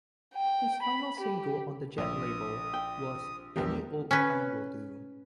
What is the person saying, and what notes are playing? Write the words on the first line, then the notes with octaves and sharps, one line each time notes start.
His final single on the Jet label was "Any Old Time Will Do".
G5
B5
G4
A#1 D#6
G5
A#1 E2 B3 G4 A#4
C#4 B4